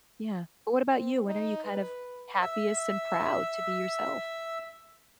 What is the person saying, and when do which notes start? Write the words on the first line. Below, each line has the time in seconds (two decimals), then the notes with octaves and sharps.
Yeah. But, what about you? When are you kind of happiest and proud to be yourself?
0.95 C4
1.26 D#4
1.64 B4
2.42 E5 E6